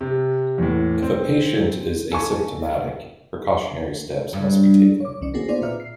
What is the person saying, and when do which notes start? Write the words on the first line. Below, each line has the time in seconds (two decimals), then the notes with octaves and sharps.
If a patient is asymptomatic, precautionary steps must be taken.
0.01 C3
0.58 E2 A2
1.02 C4
2.12 A4 G#5 C#6
4.33 G2
5.00 C#5 D6
5.21 C2 D#3 C#4 D5
5.33 A3 A#3 C4 F#4 G#4
5.48 B3 D#4 F4 G#4 C5 D5
5.62 A#2 F4 B4 D5 E5 F6
5.80 C7